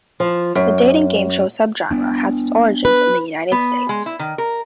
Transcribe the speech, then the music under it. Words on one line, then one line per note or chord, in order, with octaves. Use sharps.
The dating game show subgenre has its origins in the United States.
F3
F#2
B3 D4
B4
B3
G#3
E4
D#3
A#4